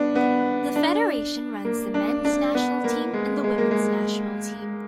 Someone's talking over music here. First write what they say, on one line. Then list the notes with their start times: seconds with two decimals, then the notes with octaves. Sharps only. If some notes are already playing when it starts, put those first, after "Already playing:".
The Federation runs the men's national team and the women's national team.
Already playing: B3 D4
0.15 B3
0.76 D4
1.65 A#3
1.94 D4
2.25 D4
2.55 B3
2.84 A#3
3.13 G#3
3.44 G#3
3.58 A#3
3.71 G#3